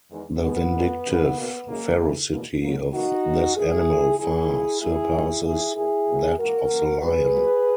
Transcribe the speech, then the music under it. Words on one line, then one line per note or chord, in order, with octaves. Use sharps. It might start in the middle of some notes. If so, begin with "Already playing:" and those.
The vindictive ferocity of this animal far surpasses that of the lion.
E2 D#3 G#3
B2 G#3 B3
A#2 G#3
F#2 C#3 E3
B2 A#3
F#2 C#3 G#3 A#3
F#2 E3 A#3
E2 B2 A#3
G#2 F#3 A#3
F#2 E3 A#3 D#4 F#4
E2 D#3 F#3 A#3
A#2 A#3 E4 G#4
E2 D#3 A#3
E2 C#3 G#3 E4 G#4
A#2 F#3 A#3
F#2 D#3 F#3 A#3 E4 G#4
G#2 F#3 A#3
E2 C#3 E3 E4 G#4
A#2 A#3 E4 G#4
B2 F#3 A#3
G#2 E3 A#3 F#4 A#4
F#2 E3 A#3
B2 G#3 G#4 B4
A#2 F#3 A#3